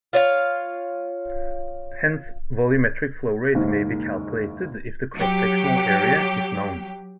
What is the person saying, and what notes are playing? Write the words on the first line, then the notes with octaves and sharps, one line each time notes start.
Hence, volumetric flowrate may be calculated if the cross-sectional area is known.
F4 C#5 F5
F#1 D#2 G#2
F#3 G4